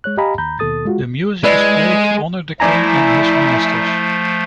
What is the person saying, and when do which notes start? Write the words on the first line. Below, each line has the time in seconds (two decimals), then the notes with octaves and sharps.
The music is played to honor the King and his ministers.
0.04 G#3 C#5 F#6
0.17 G4 D#5 F5 G#5 A#5 B5
0.38 D#2 A#5 B5 G6
0.59 D#2 B2 A4 D#6 A6
0.85 G#3 F4 F#4
1.44 G#3 E4 B4 D5
2.60 F3 A3 E4 D5 G#5 A#5